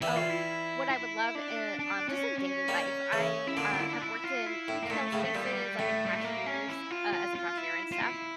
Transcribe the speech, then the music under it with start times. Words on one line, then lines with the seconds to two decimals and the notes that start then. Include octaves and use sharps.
Oh, what I would love in um, just in daily life, I, uh, have worked in retail spaces, like in cashiers uh, as a cashier and stuff,
0.01 E3 G3 E4
0.16 F4
0.29 E4
0.90 E4
1.35 D4
1.79 D4
2.09 C#4
2.38 C#4
2.68 G3 A#3
3.13 C#3 E3
3.47 E4
3.57 A#2 D3 D4
3.73 D4
3.79 E4
3.93 D4
4.02 E4
4.24 F4
4.46 E4
4.68 A2
4.83 A#3
4.90 A#2 A3
5.12 A2 C#3
5.25 A3
5.35 A#2 G3
5.79 A2 A3
6.06 G3
6.15 A3
6.24 A#3
6.46 C#4
6.69 E4
6.91 F4
7.13 F4
7.35 F4
7.57 E4
7.92 F4
8.02 E4